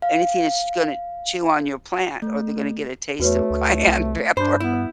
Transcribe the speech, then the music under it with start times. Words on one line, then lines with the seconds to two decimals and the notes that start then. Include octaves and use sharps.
anything that's gonna chew on your plant or they're gonna get a taste of cayenne pepper.
0.02 F5
2.22 A3
3.20 E2 A3 F#4 B4 C#5
3.50 D2
3.88 C2
4.37 G2 D4 C5 B5 G6
4.60 B3 E4